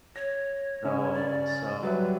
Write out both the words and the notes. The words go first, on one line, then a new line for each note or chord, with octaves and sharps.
So so
C#5 A#6
C#3 C#4
D5
F#3 G3 B4 E5